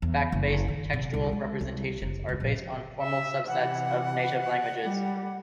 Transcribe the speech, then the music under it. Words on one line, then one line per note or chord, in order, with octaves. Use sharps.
Fact-based textual representations are based on formal subsets of native languages.
E2
F#1
D#3
C3
C2
G#3
C2
F#1
C#2
A#1
E5
C3 E3 F#5
G3